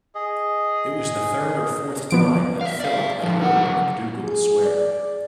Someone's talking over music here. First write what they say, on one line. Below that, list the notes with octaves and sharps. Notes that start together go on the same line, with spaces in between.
It was the third or fourth time that Philip had heard MacDougall swear.
G#4 D#5
B2 F3 D7
E5 F5
D5 F5
D3 F3
D#4 F#5
C#3 F#3
G#4
D5